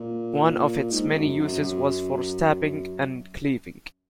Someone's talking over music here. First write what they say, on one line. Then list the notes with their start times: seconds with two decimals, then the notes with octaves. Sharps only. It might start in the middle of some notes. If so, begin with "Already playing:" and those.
One of its many uses was for stabbing and cleaving.
Already playing: A#2
0.91 G#2
1.15 F#2
1.39 F#2
1.63 F#2